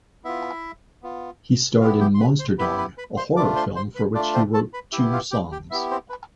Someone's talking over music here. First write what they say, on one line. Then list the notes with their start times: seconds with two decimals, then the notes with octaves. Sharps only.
He starred in "Monster Dog", a horror film for which he wrote two songs.
0.24 B3 E4 F4 E5
1.03 B3 F4
1.80 B3 E4 F4 G4 F5
2.01 G4 G5
2.14 C6
2.20 B4 B5
2.39 C5 C6
2.59 B3 E4 G4 B4 B5
2.78 B4 B5
2.98 B4 B5
3.17 C5 C6
3.37 A3 D4 F4 D5 D6
3.56 C5 C6
3.75 C5 C6
3.95 B4 B5
4.15 A3 D4 F4 D5
4.34 C4 C5
4.53 A4 A5
4.73 B4 B5
4.92 B3 E4 G4 E5
5.13 F4 F5
5.32 G4 G5
5.52 G4 G5
5.71 B3 E4 G4 E5
5.91 C4 C5
6.10 B4